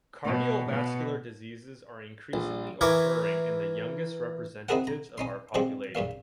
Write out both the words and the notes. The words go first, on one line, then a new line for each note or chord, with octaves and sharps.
Cardiovascular diseases are increasingly occurring in the youngest representatives of our population.
B2
B2
A#1
E3 A#4 E5 G#5 C#6 D6
C4 D#4 E4 G#4 A#4 F#5
A#5
C#4 D#4 C6
F3 G3 G#3 C4
A#1 G2 A#2 F5